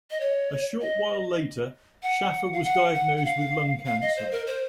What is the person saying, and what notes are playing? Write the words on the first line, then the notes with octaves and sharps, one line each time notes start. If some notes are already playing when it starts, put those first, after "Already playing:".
A short while later, Shaffer was diagnosed with lung cancer.
D#5
C#5
D#5
F#5
F5
F#5
F#5
F#5
F5
F5
D#5
C5
A#4
C5